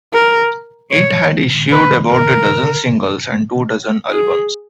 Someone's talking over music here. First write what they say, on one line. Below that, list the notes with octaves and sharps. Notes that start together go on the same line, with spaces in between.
It had issued about a dozen singles and two dozen albums.
A#4
C#5
B4
A#4
G#4